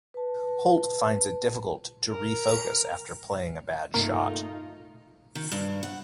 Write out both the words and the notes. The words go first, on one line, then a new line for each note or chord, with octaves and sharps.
Holt finds it difficult to re-focus after playing a bad shot.
B4 A5
A#4
G2 C3 A3 A#3 D#4 F4 A#4
D#3
G2
F#5